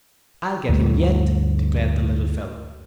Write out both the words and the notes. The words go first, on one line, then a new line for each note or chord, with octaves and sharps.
"I'll get him yet," declared the little fellow.
D2 G2 A3